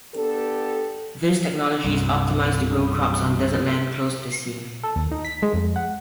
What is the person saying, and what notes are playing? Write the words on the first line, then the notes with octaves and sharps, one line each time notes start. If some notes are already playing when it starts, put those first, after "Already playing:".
This technology is optimized to grow crops on desert land close to the sea.
B3 D4 G4 A4
C2 G2
A4
D#2
D#4
B6
G#3
F2
F#5